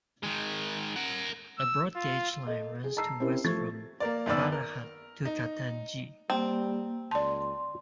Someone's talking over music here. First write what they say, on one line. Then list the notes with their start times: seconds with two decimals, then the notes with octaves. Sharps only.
A Broad gauge line runs to west from Balaghat to Katangi.
0.23 D#3 G#3
0.96 A#4 F#5
1.58 E6
1.96 F4
2.46 A4 D#5
2.84 G#4
2.97 A5 A#5 E6 C7
3.20 C4 C#4 E4 G4 A#4
3.44 F3 A3 C#6 G#6 A6
4.00 A#3 A#4 D5
4.26 F#2 D#3 B3 D5 E6
4.52 A#4
5.25 D#4
6.30 G3 A#3 C4
7.11 C#2 D5 A5 C6